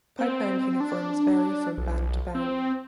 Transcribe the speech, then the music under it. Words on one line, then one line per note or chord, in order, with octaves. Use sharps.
Pipe band uniforms vary from band to band.
C4
D4
B1
C4